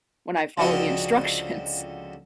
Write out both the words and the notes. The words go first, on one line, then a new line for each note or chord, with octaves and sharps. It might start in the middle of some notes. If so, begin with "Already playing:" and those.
when I followed the instructions."
C#2 D3 F3 C4 F#4 D#5